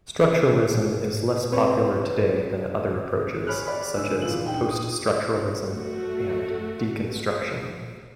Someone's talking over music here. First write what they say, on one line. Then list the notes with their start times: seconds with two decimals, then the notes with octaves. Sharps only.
Structuralism is less popular today than other approaches, such as post-structuralism and deconstruction.
1.52 C4 B4 C#5
3.47 G#4 C#5 B5 F6 F#6
3.67 D5 B5
3.97 G#2 D3 G#4 E6
4.22 A#2 E3 D#4 F4 F#7
4.46 D4 D#4 G5
4.70 D#6
5.63 A3 F#4